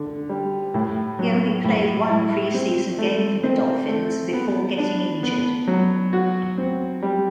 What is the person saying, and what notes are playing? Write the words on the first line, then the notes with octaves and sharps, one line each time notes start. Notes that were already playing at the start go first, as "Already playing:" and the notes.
He only played one preseason game for the Dolphins before getting injured.
Already playing: D3
G3
A2
F#3
A2
E4
C4
A3
C4
A3
B3
D4
B3
F#3
F#4
C4
G3